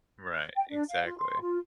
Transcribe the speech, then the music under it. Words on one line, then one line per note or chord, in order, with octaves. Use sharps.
Right, exactly.
G5
D4
F5
F4
C6
F4